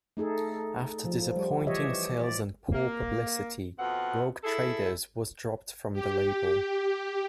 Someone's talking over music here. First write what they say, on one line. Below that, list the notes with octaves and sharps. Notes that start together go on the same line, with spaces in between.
After disappointing sales and poor publicity, Rogue Traders was dropped from the label.
A3 D#4 G#4 A4
F3
G3
E3 G4 C#5 D#5 E5
D5
A#3
F2 B2 C4 F#5
E4 G#4 A4
G4